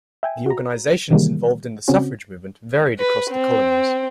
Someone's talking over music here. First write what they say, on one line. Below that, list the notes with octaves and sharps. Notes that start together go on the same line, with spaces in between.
The organisations involved in the suffrage movement varied across the colonies.
E5 G5 G#5
F#4 A#5
C3 D#3 E3 G3 G#3 A#3
C#3 C4 C#4 F#4
B4
C4